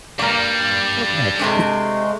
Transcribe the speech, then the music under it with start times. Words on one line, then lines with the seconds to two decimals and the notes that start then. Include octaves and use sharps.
Okay, 'cause
0.19 G2 G3 A#3 D5
1.39 C3 G#3 A3 C4 D4